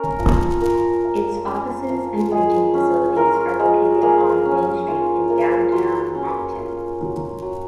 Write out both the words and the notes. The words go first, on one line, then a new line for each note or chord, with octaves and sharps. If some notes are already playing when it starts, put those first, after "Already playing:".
Its offices and printing facilities are located on Main Street in Downtown Moncton.
Already playing: C#4 A#4
F3
F4 A#4
A#3
C#4
F3
G#3 G#4
C#4
F4 A#4
G#3
A#3 G#4
C#4
F4
A#3
F#3 C5
C#4
F4
F#3
F#3